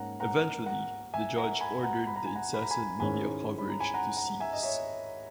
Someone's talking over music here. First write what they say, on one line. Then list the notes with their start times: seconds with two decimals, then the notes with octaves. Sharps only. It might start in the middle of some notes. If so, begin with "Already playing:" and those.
Eventually, the judge ordered the incessant media coverage to cease.
Already playing: G#2 A#3 C#4 F#5 A#5
0.20 F#5 A#5
0.66 F#5 A#5
1.14 E5 G#5
1.37 F#5 A#5
1.60 G#5 B5
1.83 F#5 A#5
2.07 B5
2.16 A#5
2.26 G#5
2.36 F#5 A#5
2.54 B5
2.62 A#5
2.71 G#5 B5
3.00 G#2 D#3 G#3 C#4 E4 G#5 B5
3.58 B5
3.69 A#5
3.80 G#5 B5
3.94 F#5 A#5
4.17 F#5 A#5
4.40 E5 G#5
4.53 D#5
4.63 C#5 E5